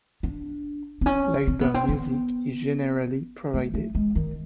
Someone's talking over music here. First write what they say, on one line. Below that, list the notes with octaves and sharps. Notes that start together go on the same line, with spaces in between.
Live band music is generally provided.
D4
C4
C#4
C4
B3
C4
B3
A3
A3
G#3
D#3